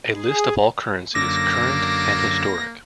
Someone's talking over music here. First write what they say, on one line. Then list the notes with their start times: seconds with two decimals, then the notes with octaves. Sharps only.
A list of all currencies, current and historic.
0.14 G#4
1.15 F#2 D3 A#3 D6 E6 A#6